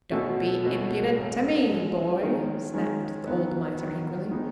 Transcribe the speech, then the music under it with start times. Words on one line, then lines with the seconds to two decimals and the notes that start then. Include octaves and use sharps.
"Don't be impudent to me, boy!" snapped the old miser angrily.
0.11 B2 A3 C#4 F#4 A4
0.64 B2 A3 C#4 F#4 A4
1.16 A1 A2 G#3
1.69 A1 A2 G#3
2.21 D#3 G#3 C#4
2.74 D#3 G#3 C#4
3.27 D#3 F#3 B3
3.78 D#3 F#3 B3
4.31 D#3 G#3 B3 D#4